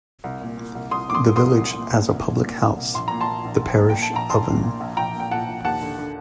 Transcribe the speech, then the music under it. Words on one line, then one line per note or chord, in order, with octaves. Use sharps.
The village has a public house, the "Parish Oven".
C2
A#2
A#2
C2
C2 C6 D#6
A#2 D6
C6 D#6
A#2
C6 D#6
C2
C2
A#2
A#2
C2
C2
A#2
A#2
C2
A#1 C6
A#2 A#5
A5 C6
A#2
A#1
A#1
A#2
G5
A#2
A5
A#1 A#5
A#1 A5 C6
A#2
A#2
A#1
A#1 G5 A#5
A#2
G5
A#2 F#5 A5
A#1
D#2 F#5 A5
D3
D3